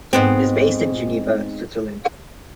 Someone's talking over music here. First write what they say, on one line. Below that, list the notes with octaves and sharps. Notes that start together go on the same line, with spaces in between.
It is based in Geneva, Switzerland.
G#2 B3 C4